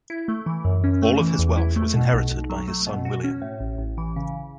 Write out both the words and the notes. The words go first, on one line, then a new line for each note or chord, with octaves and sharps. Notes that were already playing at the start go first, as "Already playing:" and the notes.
All of his wealth was inherited by his son William.
E4
A3
E3
F#2
C#4
A3
E3
E2
E4
A3
B2
B1
B1
F#3
A3
B2
F#4
C#4
A2
A1
A1
E3
C#3